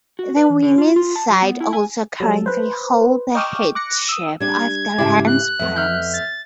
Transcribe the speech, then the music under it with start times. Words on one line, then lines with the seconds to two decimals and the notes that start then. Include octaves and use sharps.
The Women's side also currently hold the headship of the Lent bumps.
0.19 F#4
0.37 B4
0.50 E3
0.63 D3
0.78 F4
0.96 F4
1.16 A5
1.31 F#3
1.42 B3
1.60 E4
1.73 G#5
2.20 F#3 G3 A4
2.46 B4 C5
3.35 D#5 G5 C#6 D6 F6 G6
3.75 D6 F#6 A#6 C#7
4.09 D#6 E6
4.40 G3 D4 G#6
4.98 G#2 C#3 E4 G4
5.26 F#6
5.59 F2 B3 E5
5.76 E5 F6 G6
6.13 A6